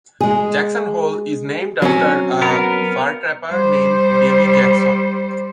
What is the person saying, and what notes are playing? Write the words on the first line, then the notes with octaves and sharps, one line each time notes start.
Jackson Hole is named after a fur trapper named Davey Jackson.
G#3 G#4
F#3 C4 C#4
B3 A#4
G3 C5